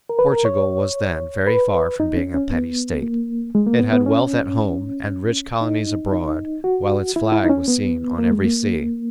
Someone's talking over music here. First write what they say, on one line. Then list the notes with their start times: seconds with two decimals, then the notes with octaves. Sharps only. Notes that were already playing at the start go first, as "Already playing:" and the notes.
Portugal was then very far from being a petty state. It had wealth at home and rich colonies abroad, while its flag was seen on every sea.
0.09 A#4
0.19 B4
0.32 A#4
0.45 C#5
1.47 B4
2.00 D#4
2.17 C#4
2.34 C#4
2.51 B3
3.03 A#3
3.55 G#3
3.66 A#3
3.79 B3
3.92 B3
4.06 C#4
5.61 D#4
6.13 D#4
6.64 F#4
7.16 E4
7.32 E4
7.44 D#4
7.49 C#4
7.68 B3
8.18 A#3
8.31 G#3
8.44 A#3